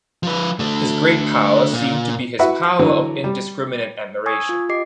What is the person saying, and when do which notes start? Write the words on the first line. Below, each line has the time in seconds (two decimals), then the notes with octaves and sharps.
His great power seemed to be his power of indiscriminate admiration.
0.23 F3 B4
0.59 D3 A3
1.73 A#2
2.39 E4 F#4 B4 E5 F#5
2.79 D3 E3 F#3
3.24 G3
4.26 G#5 C#6 D#6 E6 G#6
4.49 F4
4.69 G4 D#5 D6 C7